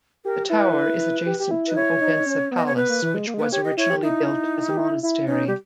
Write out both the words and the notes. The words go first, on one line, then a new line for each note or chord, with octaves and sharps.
The tower is adjacent to Odense Palace which was originally built as a monastery.
G4 A#4
E4 B4
G4
G4
E4
B4
D#4
E4 C#5
D#4
C#4
B3
D#5
C#5
B3 B4
A#3
E3
G#3
A#3
G#3
A#3 B4
G4 C#5
D#5
E4 C#5
G4
D#4 E4
G4
E4
E4
C#4 D#4
G3 G4